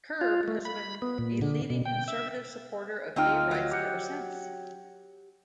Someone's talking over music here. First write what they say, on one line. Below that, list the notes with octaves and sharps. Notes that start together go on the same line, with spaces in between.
Curb has been a leading conservative supporter of gay rights ever since.
F4
A3
B5
B3
A#2
D3
B2
G5
E5
D2 C4 D#4 F4 F5 G5
F#3 D#5
G4 F#5